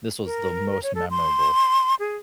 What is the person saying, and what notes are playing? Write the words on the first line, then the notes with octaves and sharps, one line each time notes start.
this was the most memorable."
A#4
C#5
A4
C6
G#4